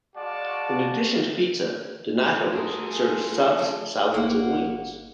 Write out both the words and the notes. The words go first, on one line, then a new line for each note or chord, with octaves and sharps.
In addition to pizza, Donatos serves subs, salads, and wings.
G#3 F#4 D5 F5 A5
F3 A3 F#4 G#4 A#4
G1 A#3 F#5